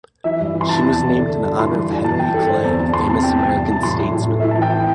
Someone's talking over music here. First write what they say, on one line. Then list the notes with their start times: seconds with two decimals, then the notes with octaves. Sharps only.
She was named in honor of Henry Clay, famous American statesman.
0.24 E3 E5
0.40 G2
0.55 E3
0.61 C6
0.69 C3 A5
0.85 E2
1.00 E2
1.15 D3
1.29 D3
1.44 G2
1.59 E3 C6
1.75 G2
1.90 G2
2.04 E3 A5
2.19 E3 G5
2.34 G2 A4
2.49 D3 C5
2.64 E2 A5
2.79 E2 A5
2.93 E2 C6
3.10 C3 A5
3.23 E2 G5
3.39 E3 A5
3.54 G2
3.69 E3 A5
3.83 A2 C6
3.99 A2
4.14 A2
4.29 E3 A4
4.40 E5
4.44 E3
4.51 A5
4.58 E3 G5
4.74 G5